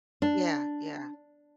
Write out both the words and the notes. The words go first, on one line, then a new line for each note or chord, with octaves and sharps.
Yeah, yeah.
D4